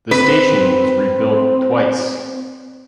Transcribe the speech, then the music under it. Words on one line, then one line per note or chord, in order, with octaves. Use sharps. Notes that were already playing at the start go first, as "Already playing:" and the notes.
The station was rebuilt twice.
C4 B4